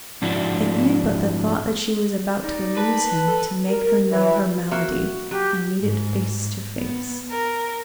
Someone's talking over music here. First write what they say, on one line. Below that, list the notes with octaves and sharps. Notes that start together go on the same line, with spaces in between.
It needed but the thought that she was about to lose him to make her know her malady, and meet it face to face.
G#2 F3 D4 E4 F#4
D#4 D5
B4 A5
A4
A#4
E3
A#3 F#4 E5
F#3 G4
G#2
B3
A#4